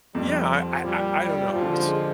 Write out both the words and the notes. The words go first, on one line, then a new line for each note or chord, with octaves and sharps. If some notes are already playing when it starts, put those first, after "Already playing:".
Yeah. I I I I don't know. S
F2 G3
F3
A#2 G3
G3
A#2 F3
D3
G#3